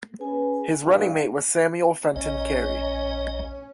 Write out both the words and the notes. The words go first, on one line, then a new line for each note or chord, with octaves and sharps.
His running mate was Samuel Fenton Cary.
C#4 G#4 B4 G#5
A#1 E2 G2 D#4 F5
A#1 C#4 D#5